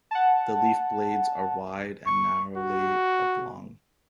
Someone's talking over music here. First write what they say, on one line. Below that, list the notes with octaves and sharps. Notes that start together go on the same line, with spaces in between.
The leaf blades are wide and narrowly oblong.
F#5 A5
C#6
F#4